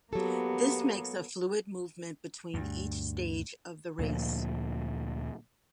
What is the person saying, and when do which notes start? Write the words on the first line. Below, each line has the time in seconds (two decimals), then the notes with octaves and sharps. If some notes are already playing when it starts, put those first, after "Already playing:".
This makes a fluid movement between each stage of the race.
0.13 F#3 A#3 B3 G4 A4
2.54 D2 G2
3.99 D2 A#2 F3